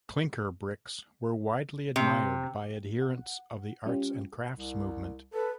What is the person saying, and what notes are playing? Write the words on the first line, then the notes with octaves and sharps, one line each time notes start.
Clinker bricks were widely admired by adherents of the Arts and Crafts movement.
C3
F#5
G3 C#4 F4 G4
C2
A4 B4